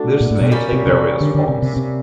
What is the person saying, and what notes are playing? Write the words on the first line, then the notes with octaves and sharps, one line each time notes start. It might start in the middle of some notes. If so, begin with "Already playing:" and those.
This may take various forms.
Already playing: A3 D4 F#4
A#2
A2
B2
G3 A#3 C#4
C3
C#3
C3
D3
D3
C3
C3
C3